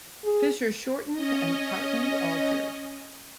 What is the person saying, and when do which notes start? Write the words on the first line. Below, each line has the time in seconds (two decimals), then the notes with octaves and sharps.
Fischer shortened and partly altered.
0.25 G#4
1.12 C#4 D#5